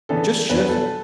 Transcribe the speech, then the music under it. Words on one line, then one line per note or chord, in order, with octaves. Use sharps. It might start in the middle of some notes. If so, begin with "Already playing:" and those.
It just shows.
C#3 E3 B3 D4 A4
E2 B2 F#3 B3 D4 B4
B4
A4